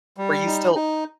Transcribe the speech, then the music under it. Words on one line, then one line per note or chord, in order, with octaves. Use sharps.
were you still
G3
D#4
D#4